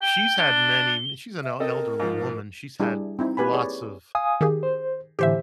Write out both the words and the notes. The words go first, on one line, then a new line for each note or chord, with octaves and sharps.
she's had many mi she's an el elderly woman. She's had lots of,
G5 G7
D4
E5
C4 A4 A#4 D#5
G#2 F3
G3 D4 E4 G4 G#4
C4 D#4 E4
A#3 G4 B4 G#5 B5
G#4 C#5 D5
F5 G#5 D#6
D#3 G4 G#4
C5
A2 D3 E3 G4 C5 E5